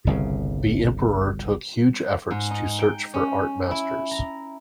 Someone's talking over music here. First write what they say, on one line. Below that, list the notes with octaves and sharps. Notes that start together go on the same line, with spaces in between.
The emperor took huge efforts to search for art masters.
G1 C2 C#3
G#2
D#4
G5
C#4
E4
A#5